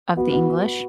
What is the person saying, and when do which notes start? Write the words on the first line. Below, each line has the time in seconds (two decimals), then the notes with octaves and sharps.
of the English.
0.16 B3 F#4
0.33 F#4